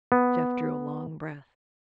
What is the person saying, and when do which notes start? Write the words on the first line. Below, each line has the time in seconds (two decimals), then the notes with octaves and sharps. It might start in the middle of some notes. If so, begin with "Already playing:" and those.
Jeff drew a long breath.
0.12 B3